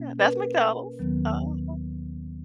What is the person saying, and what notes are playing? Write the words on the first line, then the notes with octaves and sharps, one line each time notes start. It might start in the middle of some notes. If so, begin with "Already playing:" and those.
that's McDonald's, uh-huh.
Already playing: B2 A#3 C#4
B4
A#4
B4
D#2 D#3 F#3 B3